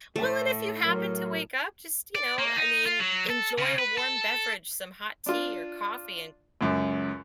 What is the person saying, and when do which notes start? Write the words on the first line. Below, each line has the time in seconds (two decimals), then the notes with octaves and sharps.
Well, and if you happen to wake up, just, you know, I mean, enjoy a warm beverage, some hot tea or coffee, and
0.16 A2 A3
0.84 F#3 A#4
2.15 D5
2.39 A#3
2.56 D#4
2.86 F4
3.00 F#3
3.30 A4
3.58 C#3
3.79 B4
3.98 A4
5.26 D4 F4
6.61 C#2 F#2